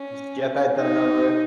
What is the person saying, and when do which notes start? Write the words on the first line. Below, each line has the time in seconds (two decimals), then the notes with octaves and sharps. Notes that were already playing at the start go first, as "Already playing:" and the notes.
Just get that done and over with.
Already playing: C#4
0.78 D#4